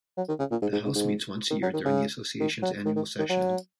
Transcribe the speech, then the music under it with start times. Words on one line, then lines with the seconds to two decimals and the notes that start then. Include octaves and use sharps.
The house meets once a year during the association's annual session.
0.17 F#3
0.29 D#3
0.39 C#3
0.52 A#2
0.62 G#2
0.73 G#2
0.85 G#2
0.96 G#2
1.51 D#3
1.63 F#3
1.74 D#3
1.86 C#3
2.40 D#3
2.63 F#3
2.86 D#3
2.96 D#3
3.19 D#3
3.30 F#3